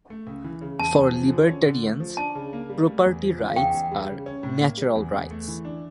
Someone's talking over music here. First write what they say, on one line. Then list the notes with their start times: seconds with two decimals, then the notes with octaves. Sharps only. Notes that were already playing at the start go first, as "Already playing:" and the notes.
For libertarians, property rights are natural rights.
0.10 A3
0.27 C#2
0.44 E3
0.61 C#3
0.79 E2 A5
0.96 E2
1.13 F3
1.31 D3
1.48 C#4
1.66 D3
1.83 A3
2.00 F3
2.17 D4 A5
2.35 C#3
2.53 A#3
2.69 G3
2.87 A3
3.05 E2
3.22 F3
3.39 C#3
3.50 F5
3.56 E2 G5
3.74 E2
3.91 G3
4.09 C#3
4.26 C#4
4.43 A2
4.60 A#3
4.77 G3
4.95 E2
5.13 E2
5.31 A3
5.48 E3
5.65 D4